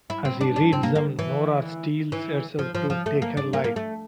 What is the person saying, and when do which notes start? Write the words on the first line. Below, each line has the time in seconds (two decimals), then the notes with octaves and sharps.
As he reads them, Nora steels herself to take her life.
0.10 E4
0.25 C4
0.41 D4
0.56 D4
0.73 C4
0.83 A#3
0.95 A#3
1.19 E3
2.12 E3
2.59 F3
2.75 F3
2.90 F3
3.06 A3
3.22 A#3
3.37 D4
3.53 A#3
3.64 A#3
3.76 A3